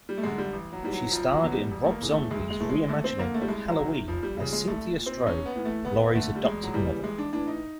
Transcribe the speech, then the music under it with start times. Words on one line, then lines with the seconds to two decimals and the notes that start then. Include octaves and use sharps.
She starred in Rob Zombie's re-imagining of "Halloween", as Cynthia Strode, Laurie's adoptive mother.
0.09 G3
0.18 A3
0.23 F#2 D3 G#3
0.38 G3
0.53 A1
0.73 F#3
0.83 G#2 E3 G3
0.93 F#3
1.12 F1 F3
1.32 F#3
1.42 E2 B2
1.52 G3
1.71 E1
1.84 A3
1.91 A#3
2.01 E2 C#3 E3
2.11 A3
2.31 D2 G#3
2.50 G#3
2.60 C#3 E3 A3
2.69 G#3
2.89 D#2 A3
3.04 C4
3.18 D3 A#3
3.34 A3
3.41 G3
3.48 C2 G#3
3.68 F#3
3.79 C3 D#3
4.08 F1 F3
4.23 G3
4.37 F2 C#3 G3
4.52 G#3
4.68 C2 A3
4.96 A#2
5.06 C4
5.26 B1 C#4
5.46 B3
5.55 A2 E3
5.65 A3
5.85 D2 B3
6.15 D3 A3
6.35 G3
6.44 E1 G#3
6.63 F#3
6.73 D#2 C#3 E3 G3
7.03 A1 G#3
7.18 D4
7.32 A2 E3 D4
7.47 D#4